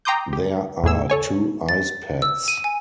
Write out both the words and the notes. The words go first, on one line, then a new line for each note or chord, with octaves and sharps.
There are two ice pads.
G5 A#5 C6 D6 D#6 G6
G4
E2 A2 G#4 E6
A4 C#5 G#5
A6
E6
D#7
G#5